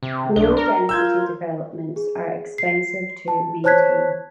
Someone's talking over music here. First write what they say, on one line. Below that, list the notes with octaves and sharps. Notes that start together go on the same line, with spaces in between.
Low density developments are expensive to maintain.
C3
B1 D4 G7
A#4
F4 E6 G6 G#6
G#4
C7
A5
C5 C#5 A5 F#6 G#6 B6